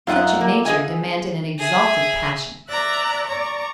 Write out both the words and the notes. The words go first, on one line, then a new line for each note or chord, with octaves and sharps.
Such a nature demanded an exalted passion.
F#2 D#4 F4 D#5 E5 F#5
A#3
G#4 D#5 G#5
G#4 E5
D5 E5 A#5 F#6
D5 A#5 C#6